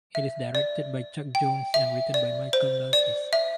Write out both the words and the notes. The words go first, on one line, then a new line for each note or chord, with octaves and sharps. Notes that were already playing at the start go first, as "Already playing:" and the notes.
It is directed by Chuck Jones and written by Michael Maltese.
E5
D5
G5
E5
D5
C5
D5
E5